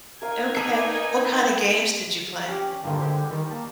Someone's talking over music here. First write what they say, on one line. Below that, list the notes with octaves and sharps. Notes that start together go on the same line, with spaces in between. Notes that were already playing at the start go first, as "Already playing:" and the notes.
Okay. What kinda games did you play?
D#4 A#4 F5 G#5
A4 B4 D5
C#4 G4 D5
G2 A#2 D3 D#3
G#3 G4 C5
D#3 G3
A#3 A5